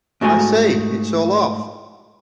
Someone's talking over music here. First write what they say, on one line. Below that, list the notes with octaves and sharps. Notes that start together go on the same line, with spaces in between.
I say, it's all off.
G#2 A3 F#4 A4 G#5